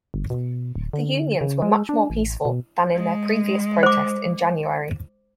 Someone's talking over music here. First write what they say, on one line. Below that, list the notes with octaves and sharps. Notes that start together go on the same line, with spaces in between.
The unions were much more peaceful than in their previous protest in January.
G1
B2
D1
D3
C#3
G#3
D4
A1
B2
G#3
C5 D6